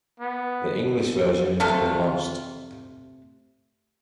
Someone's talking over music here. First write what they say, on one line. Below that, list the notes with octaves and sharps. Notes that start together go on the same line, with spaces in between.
The English version has been lost.
B3
C3 A3 F4